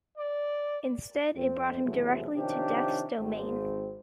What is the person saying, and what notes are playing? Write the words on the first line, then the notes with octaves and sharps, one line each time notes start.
Instead it brought him directly to Death's Domain.
D5
F2 C4
B1 E2 C3 F#3 G#3 A3
C3 D#3 F3 C#4 D4 G4
G#1 G#3 C4